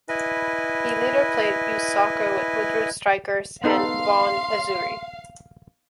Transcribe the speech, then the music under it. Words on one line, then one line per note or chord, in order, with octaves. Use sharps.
He later played youth soccer with Woodbridge Strikers and Vaughan Azzurri.
E4 B4 D#5 G#5
B3 D#4 A4 F5 C6